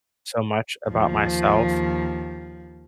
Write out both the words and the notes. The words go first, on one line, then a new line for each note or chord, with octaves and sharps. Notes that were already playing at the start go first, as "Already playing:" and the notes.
so much about myself
D#2 F3